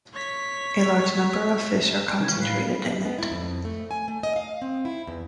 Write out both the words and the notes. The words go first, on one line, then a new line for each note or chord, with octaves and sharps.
A large number of fish are concentrated in it.
C#5 B6
G#3
C3 D#3 E3 C#4
A2 B4 F5
G3
B3
E4
F2
A3
G#5
A3
D#5
F5
C4
E4
E2